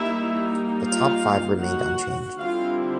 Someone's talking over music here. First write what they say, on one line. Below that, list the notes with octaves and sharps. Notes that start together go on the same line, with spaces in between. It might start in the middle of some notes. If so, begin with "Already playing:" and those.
The top five remained unchanged.
Already playing: G3 A#3 D#4 E4 E5
F4 F5
F#4 F#5
D3 G3 C4 E4 F4 F5